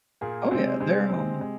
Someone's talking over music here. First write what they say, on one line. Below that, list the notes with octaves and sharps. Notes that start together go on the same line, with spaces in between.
Oh, yeah, they're, um,
A#2 A#3 G#4
C3 G#3 C4
C3 G#3 C4
C3 G#3 C4
C3 G#3